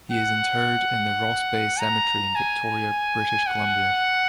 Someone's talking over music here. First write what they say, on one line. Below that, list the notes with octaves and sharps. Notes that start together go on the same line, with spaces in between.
He is interred in the Ross Bay Cemetery in Victoria, British Columbia.
F#5
A#5
G#5
F#5